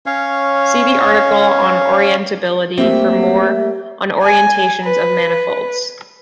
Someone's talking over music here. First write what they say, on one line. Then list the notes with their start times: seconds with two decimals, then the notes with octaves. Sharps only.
See the article on orientability for more on orientations of manifolds.
0.06 C#4 C#5 F5
2.78 G3 A3 A#3 C4 G4 E5
4.22 G#5
4.84 B4